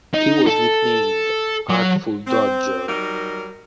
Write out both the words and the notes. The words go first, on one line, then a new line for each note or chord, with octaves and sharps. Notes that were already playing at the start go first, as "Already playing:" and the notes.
He was nicknamed Artful Dodger.
D#4
A4
F#3
C4
F#3 G3 D#4 A#4